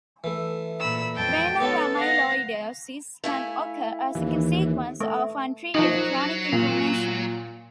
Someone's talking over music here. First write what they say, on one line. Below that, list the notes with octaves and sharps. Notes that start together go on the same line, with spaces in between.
Renal amyloidosis can occur as a consequence of untreated chronic inflammation.
E3 A3
A#2 B5 E6
F2 G5 A5
B3 D#4 A4 B4 C#5 A5
F5 F#5 A#6
A3 E4 F5 G#5
D#2 E3
A3
F3 F#3 D#4
A#2